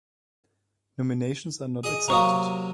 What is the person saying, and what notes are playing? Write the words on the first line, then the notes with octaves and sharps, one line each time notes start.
Nominations are not accepted.
G#4 D#5
C3 F#3 A#3 A#5 C#6 D#6